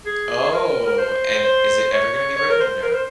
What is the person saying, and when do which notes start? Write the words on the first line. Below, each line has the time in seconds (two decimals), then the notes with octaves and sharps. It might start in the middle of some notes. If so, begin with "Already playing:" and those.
Oh, and is it ever gonna be written or no?
0.06 G#4
0.44 G#4
0.52 A#4
0.87 A#4
0.98 C5
1.44 C5
1.91 C#5
2.14 C#5
2.36 C#5
2.50 A#4
2.60 C5
2.83 A#4
2.93 C5